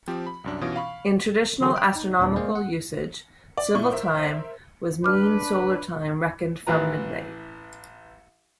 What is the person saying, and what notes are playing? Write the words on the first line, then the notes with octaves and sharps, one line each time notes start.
In traditional astronomical usage, civil time was mean solar time reckoned from midnight.
F3 C4 G4
B5
C2 F#2 D4
B2 E3 C#4 F4 D#6 D7
F5 B5 C#6
D3 E3 F#3 F#4 G#4 A4
G5
D#4
D#2 A#2 C4 D4
G#3 A#3 G#4 C5 D5 F5
F#5
D5
A#2 E4 C#6
A#4 C5 E5
D4 B4 D6 F6
A1 E3 B4 A#5